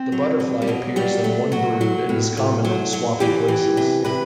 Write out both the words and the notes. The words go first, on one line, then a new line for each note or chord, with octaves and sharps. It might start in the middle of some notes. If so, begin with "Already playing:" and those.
The butterfly appears in one brood and is common in swampy places.
Already playing: C4
F#3
B2
G3
B2 F#3
F#3 G3
F#3 A3
F#3 F#4
F#3
A2
A2
F#3
F#3
E3 G4
E3
C3
C3 B4